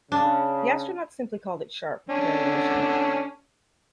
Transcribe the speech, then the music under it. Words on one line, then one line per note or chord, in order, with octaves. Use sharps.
The astronauts simply called it "Sharp" during the mission.
C#3 D4
D3 C#4 D4